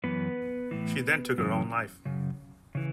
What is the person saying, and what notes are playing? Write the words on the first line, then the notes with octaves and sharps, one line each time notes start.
She then took her own life.
F#2 E3 B3 B4
A2 E3
F#2 C#3 E3
F#2 C#3
C#3 E3